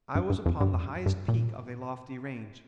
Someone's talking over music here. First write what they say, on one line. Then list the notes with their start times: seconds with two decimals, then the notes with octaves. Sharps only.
I was upon the highest peak of a lofty range.
0.15 G2
0.30 G2
0.46 F2
0.61 G2
0.73 F2
0.85 G2
1.06 G2
1.28 A#2